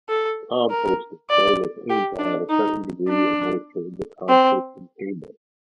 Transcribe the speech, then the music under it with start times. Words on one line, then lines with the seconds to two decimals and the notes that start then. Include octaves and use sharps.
Composting toilets aim to have a certain degree of moisture in the composting chamber.
0.09 A4
0.70 A#4
1.30 D5
1.90 G4
2.19 D4
2.49 D#4
3.09 D4
4.29 C4